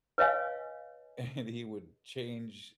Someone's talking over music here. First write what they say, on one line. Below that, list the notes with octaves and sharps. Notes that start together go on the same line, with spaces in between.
And he would change
B4 C#5 D#5 F5 G#5